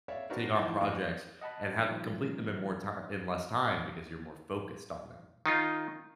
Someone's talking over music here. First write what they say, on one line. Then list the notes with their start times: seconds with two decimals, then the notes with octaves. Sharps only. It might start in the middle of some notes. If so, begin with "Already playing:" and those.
take on projects, and have complete them in more ti in less time, because you're more focused on them,
0.08 C#5 D5 E5 F5
0.30 C4 D4 D#4 F#4 A#4 B4
0.54 E3 D#4 F4 G5 A5 C#6
0.81 F2 A2 D#5 F5 D6 D#6
1.41 D#5 F#5 A5 B5
1.78 D#3 F3 G3 A3 A#4
5.46 D#3 D#4 F4